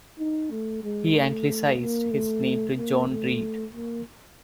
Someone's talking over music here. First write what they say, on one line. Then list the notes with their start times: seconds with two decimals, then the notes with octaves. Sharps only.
He Anglicized his name to John Reed.
0.19 D#4
0.51 A3
0.84 G#3
1.16 A3
1.80 A#3
2.11 A3
2.77 A#3
3.08 A3
3.73 A#3